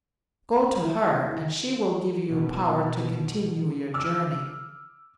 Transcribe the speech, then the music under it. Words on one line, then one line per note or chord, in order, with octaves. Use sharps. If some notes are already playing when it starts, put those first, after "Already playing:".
Go to her and she will give you power to continue your journey.
E4
B2
D6 E6 F6